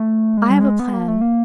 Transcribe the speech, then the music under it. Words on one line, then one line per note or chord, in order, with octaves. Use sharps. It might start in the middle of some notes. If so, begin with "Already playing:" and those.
I have a plan.
Already playing: A3
G#3
G3
G#3
B3
A#3
A3
A#3